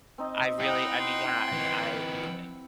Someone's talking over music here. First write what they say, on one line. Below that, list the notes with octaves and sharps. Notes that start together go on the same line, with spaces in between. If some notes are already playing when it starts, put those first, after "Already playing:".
I really I mean, yeah, I mean I even
C4 D#4 D#5
D#4 E4 D#5 F#5 G5
C6
E3 D#4